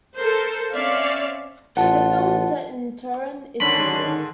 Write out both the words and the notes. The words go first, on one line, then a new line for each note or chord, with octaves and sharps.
The film is set in Turin, Italy.
A4 A#4 C5
C4 C#4 D5 E5 F5
A1 F4 F#5 A5
G#2 D3 D#3 C#4 D4 B5 C6